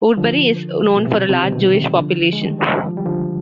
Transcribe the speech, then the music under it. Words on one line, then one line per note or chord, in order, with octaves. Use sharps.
Woodbury is known for a large Jewish population.
D3 F3
B2
C3
C3
D#3
B2 D3
C3 D#3
G3
D3 F3
G#3
D#3 G3
F3
G3
D3 F3